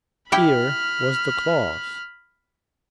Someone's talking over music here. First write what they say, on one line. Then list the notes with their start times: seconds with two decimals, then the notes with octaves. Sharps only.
Here was the clause.
0.32 E4 G4 G5 B5 F6